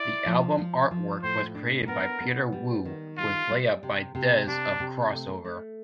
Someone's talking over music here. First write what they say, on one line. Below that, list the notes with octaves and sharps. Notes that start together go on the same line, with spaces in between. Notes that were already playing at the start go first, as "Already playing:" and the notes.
The album artwork was created by Peter Wu with layout by Dez of Crossover.
Already playing: E4 D5
F3
F3
F3
A2 C5
D4
B3 A#4
B3
G3
D#3
G3 F4
G3
C3
C3
C3 D4
C3
A3
A3